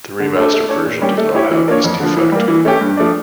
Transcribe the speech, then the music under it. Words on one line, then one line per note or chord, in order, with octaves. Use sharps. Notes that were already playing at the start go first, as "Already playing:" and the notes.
The remastered version does not have this defect.
D3
A3 D4 A4
A3
D4 A4 C#5
A#2
G3 A#3 C#4 G4
A3
E4 G4 C#5
E3
A#3 D4 F4 C#5
F2
D3 F3
E3
G3 A#3
E3
A3 C#4 G4
G2
F3 A3 D4